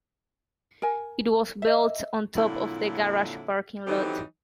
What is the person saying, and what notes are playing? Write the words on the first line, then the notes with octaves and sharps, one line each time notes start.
It was built on top of the garage parking lot.
A#4 G#5
D#5 E5
F2 A#2 D3 F#3 E4
D3 E3 F#3 C4 D#4 G4